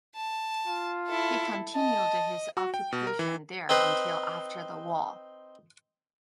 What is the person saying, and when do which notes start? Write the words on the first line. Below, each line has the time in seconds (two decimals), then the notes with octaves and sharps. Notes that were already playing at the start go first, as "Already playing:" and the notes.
He continued his occupation there until after the war.
0.16 A5
0.67 F4
1.07 E4 A4
1.75 D#5 A5
2.57 F#4
2.74 G5
2.92 B2
3.07 A#4
3.19 E3
3.69 C4 D#4 B4 C5